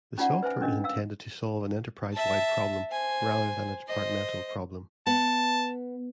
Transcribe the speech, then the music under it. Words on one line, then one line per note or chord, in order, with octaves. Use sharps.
The software is intended to solve an enterprise-wide problem, rather than a departmental problem.
C#4 D#4 F4 D5 F#5
B4 C5 E5 G#5
C#4 D4 A#4 D#5
F5 E6
E5 A5
C5 G#5
C5 D#5
B3 A5